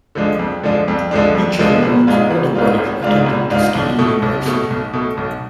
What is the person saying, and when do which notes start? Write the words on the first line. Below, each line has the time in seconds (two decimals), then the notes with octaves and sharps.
Each of Malone's older brothers attended Tuskegee University.
0.15 D3 F3 G#3 D4
0.39 F2
0.63 D3 F3 G#3 D4
0.88 F2
1.11 D3 F3 G#3 D4
1.35 F2
1.59 D3 F3 G#3 D4
1.83 G#1
2.07 G#2 G#3 D4 F4
2.31 G#1
2.55 G#2 G#3 D4 F4
2.78 G#1
3.03 G#2 G#3 D4 F4
3.26 G#1
3.50 G#2 G#3 D4 F4
3.75 B1
3.99 B2 A3
4.22 B1
4.45 B2 A3
4.70 B1
4.93 B2 A3
5.17 B1